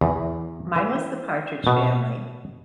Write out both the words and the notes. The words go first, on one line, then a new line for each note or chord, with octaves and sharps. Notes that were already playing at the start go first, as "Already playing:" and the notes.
Mine was The Partridge Family.
E2
E3
B2